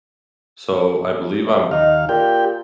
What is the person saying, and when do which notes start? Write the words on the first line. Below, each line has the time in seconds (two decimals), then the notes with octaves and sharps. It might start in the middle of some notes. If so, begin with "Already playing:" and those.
So I believe I'm
1.47 C3
1.71 D#2 D#4 F5
2.09 A#2 G4 G5